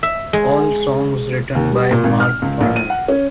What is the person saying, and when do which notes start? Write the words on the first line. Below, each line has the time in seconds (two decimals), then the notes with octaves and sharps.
All songs written by Mark Farner.
0.03 E5
0.33 G#3
1.55 D#2
1.72 G3
1.91 A#2
2.04 G#1
2.20 F6
2.42 C#2
2.61 A#1
2.76 D#7
2.90 F#5
3.08 C#4